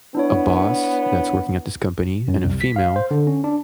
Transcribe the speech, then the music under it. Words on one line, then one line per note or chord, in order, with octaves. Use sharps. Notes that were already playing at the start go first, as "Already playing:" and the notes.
a boss that's working at this company and a female
B3 D4 E4 C#5
F#2
C2
B6
F5
C5
D3
C#4
D4